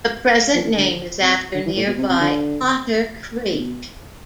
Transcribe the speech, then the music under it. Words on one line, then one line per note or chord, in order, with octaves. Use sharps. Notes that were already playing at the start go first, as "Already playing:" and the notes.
The present name is after nearby Otter Creek.
F3
E3
D3
C3
D3
E3
A2
B2
C3
C3
D3
B2